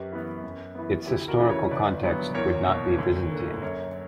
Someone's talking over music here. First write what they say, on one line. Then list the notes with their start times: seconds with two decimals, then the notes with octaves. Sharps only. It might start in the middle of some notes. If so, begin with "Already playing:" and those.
Its historical context would not be Byzantine.
Already playing: F#2 G4 B4
0.12 E3 B3
0.44 F#2
0.75 E3 B3
1.07 D2 E4 G4
1.28 F#4 A#4
1.39 C#3 E3
1.50 A#4 C#5
1.71 G1 B4 D5
2.03 G2 F#3 B3
2.34 E2 A#4 C#5
2.66 B2 A#3
2.99 D2
3.31 D3 A#3
3.62 F#2 A#4 C#5